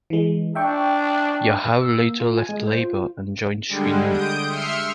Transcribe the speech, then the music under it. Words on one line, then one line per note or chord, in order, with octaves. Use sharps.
Yahav later left Labour and joined Shinui.
E3 G#3
D4 E5 G5 C#6
E6
A#3
F4
G#5
G#3
C5
F4
D3 G3 G#3
D#6 G6 D7
E5 C6 F6 C#7